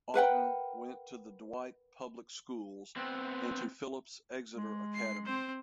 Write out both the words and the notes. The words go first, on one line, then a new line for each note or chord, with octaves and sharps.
Oughton went to the Dwight public schools and to Phillips Exeter Academy.
A#4 B4 F#5 G5
B3 C4
G#3
C7
C4 C5